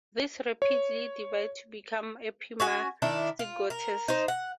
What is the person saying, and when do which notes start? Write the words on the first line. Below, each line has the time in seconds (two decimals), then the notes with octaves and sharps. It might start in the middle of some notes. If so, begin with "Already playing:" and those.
These rapidly divide to become epimastigotes.
0.62 C#5
2.60 C#4 F#4 G#5
3.02 D#3 D4 E4
3.39 F4
3.70 A#4
4.08 D#4 C5
4.28 F#5